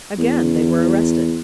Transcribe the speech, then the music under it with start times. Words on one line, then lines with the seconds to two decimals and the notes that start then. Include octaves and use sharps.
Again they were arrested.
0.18 E2